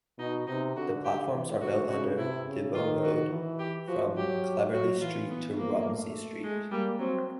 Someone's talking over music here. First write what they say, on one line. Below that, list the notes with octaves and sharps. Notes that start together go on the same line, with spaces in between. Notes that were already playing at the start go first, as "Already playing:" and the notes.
The platforms are built under Des Voeux Road from Cleverly Street to Rumsey Street.
B2 D#4
C3 D#4
D3 F#4
G4
E3
D3 F#4
C#3 F#4
C3 E4
C#3
D#3 F4
F#4
E3
G4
F3 F#4
F#3 G4
F#3 F#4
E3 F4
B3
F3 A#3
A3
G#3
G3 A#3
F#3 C4